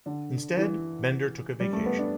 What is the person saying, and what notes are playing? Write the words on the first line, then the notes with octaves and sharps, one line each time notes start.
Instead Bender took a vacation.
D3
E3
G3
A3
B3
D4